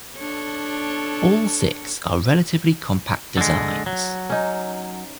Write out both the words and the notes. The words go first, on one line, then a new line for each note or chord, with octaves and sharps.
All six are relatively compact designs.
D4 A4 C#5
D3 G#3
F#3
C#4 D#4